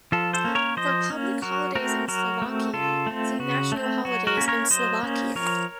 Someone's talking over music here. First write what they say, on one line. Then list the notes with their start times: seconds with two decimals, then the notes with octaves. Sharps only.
For Public holidays in Slovakia see National holidays in Slovakia.
0.12 F3 F4 A4
0.33 A4 C5
0.45 A#3 C#4
0.55 A#4 C#5
0.77 F3 C5 D#5
1.10 A#3 C#4
1.42 F#3 F#4 A#4
1.75 A3 C4 F#4 A#4
2.08 F#3 F#4 A#4
2.42 A3 C4
2.74 C#3 F4 A4
3.07 A3 C4
3.39 C#3 F#4
3.72 A3 C4
4.05 F#3 F#4
4.27 F#4 A#4
4.37 A#3 C#4
4.48 A#4 C#5
4.70 F#3 C5 D#5
5.03 A#3 C#4
5.35 F3 A#4 C#5